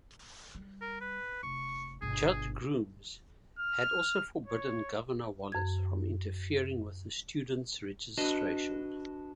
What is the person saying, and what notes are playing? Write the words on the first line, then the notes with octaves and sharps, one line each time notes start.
Judge Grooms had also forbidden Governor Wallace from interfering with the students' registration.
G3
A#4
B4
F1 C#6
G1 B2 G#4
F6
C#5
F#2 G#6
D4 F#4 B4 D#5